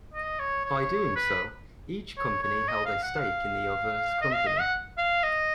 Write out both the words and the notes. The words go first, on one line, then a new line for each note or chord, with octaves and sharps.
By doing so, each company held a stake in the other's company.
D#5
C#5
C#5
B4
C#5
C#5
D#5
F5
F#5
F5
D#5
F5
D#5
F#5
F5
D#5